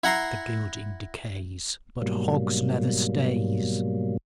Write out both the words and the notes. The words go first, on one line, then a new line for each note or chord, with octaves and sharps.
"The gilding decays, But hog's leather stays!"
E4 F#5 A#5 C6
G#2 B2 F#3 G3 A#3